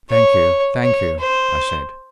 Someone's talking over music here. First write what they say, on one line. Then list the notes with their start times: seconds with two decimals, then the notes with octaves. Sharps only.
"Thank you, thank you," I said.
0.10 C#5
0.83 C#5
1.20 C5